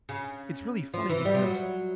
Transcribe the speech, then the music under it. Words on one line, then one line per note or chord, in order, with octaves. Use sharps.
It's really funny because
C#3
F3
E3
G3
F3
F#3